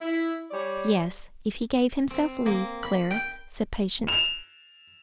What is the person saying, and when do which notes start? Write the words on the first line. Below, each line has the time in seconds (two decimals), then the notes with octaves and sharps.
"Yes, if he gave himself leave, Clara," said Patience.
0.01 E4
0.51 G3 C#5 D5
2.11 C4
2.46 A#3
2.83 B5
3.11 G5
4.07 E7 F7